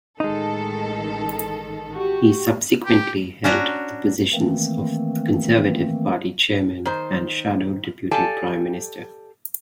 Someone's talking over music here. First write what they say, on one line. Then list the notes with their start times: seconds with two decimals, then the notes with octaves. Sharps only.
He subsequently held the positions of Conservative Party Chairman and Shadow Deputy Prime Minister.
0.20 A1 D#3 G#3 D#4 A4
1.94 F#4 G4
2.85 G4
3.44 C#4 D4 F#4 A#5
4.34 D#3 E3 A3 A#3 C4
6.85 D#3 C5
8.11 G4 A4 D5 F5 G#5 A5